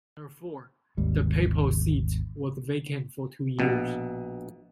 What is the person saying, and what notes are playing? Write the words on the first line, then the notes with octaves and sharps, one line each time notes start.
Therefore, the Papal seat was vacant for two years.
G#1 D#2 G#2 G3
A#1 B2